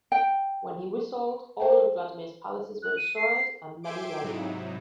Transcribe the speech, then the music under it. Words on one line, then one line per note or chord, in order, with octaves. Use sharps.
When he whistled all of Vladimir's palaces were destroyed and many lay dead.
G5
C5 G5
F#6
D#7
C7
E5 G5 G#5 C6 D6 D7
G#2 C3 F#3 D#4 E4